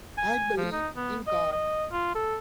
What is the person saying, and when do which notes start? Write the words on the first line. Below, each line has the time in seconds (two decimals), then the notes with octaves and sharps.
I believe in God.
0.18 G#5
0.57 F3
0.72 D#4
0.96 B3
1.27 D#5
1.52 D#5
1.92 F4
2.15 A4